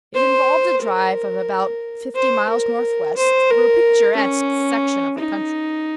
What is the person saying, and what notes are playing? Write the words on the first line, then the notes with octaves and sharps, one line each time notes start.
It involved a drive of about fifty miles northwest, through a picturesque section of the country.
C5
A#4
C5
A#4
C5
A#4
C#4
D#4